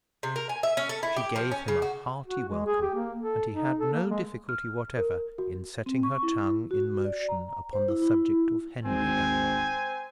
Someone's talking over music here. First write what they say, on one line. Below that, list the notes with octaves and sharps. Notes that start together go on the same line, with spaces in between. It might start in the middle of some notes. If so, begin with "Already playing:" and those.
She gave him a hearty welcome, and he had no difficulty whatever in setting her tongue in motion upon the subject of Henry Dunbar.
C3
A#4
G#5
E5
C#4
A4
E4
G4
F3
C#4
C#3
F#4
F#4
G#3
G#4
G4
A#3
A4
D#4
A4
A#3
G#3
F6
A#4
F#4
C4
C#6
E4
F#4
D5
A#5
C5
E4
E4
G#1 C4 C5 G#5